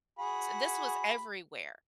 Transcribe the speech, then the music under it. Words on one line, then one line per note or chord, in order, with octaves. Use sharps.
so this was everywhere.
F#4 G#4 B5